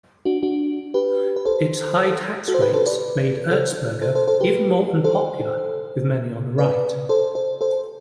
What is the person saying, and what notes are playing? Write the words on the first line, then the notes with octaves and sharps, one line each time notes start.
Its high tax rates made Erzberger even more unpopular with many on the right.
D4 F#4
D4 F#4
G4 B4
B4
A4 C5
F#4 A4
C5
G4 B4
A4 C5
B4 D5
A4 C5
A4 C5
A4 C5
A4 C5
G4 B4
A4 C5
B4 D5
A4 C5
A4 C5
A4 C5